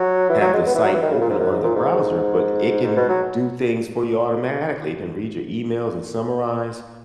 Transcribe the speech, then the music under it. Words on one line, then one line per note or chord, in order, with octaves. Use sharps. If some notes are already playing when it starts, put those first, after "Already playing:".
have the site open on the browser, but it can do things for you automatically. It can read your emails and summarize.
Already playing: F#3
E3
F#3
G#3
B3
E3
F#3
E3
D#3
C#3
A#2
G#2
F#2
G#2
A#2
G#2
G#2
G#2
B2
F#3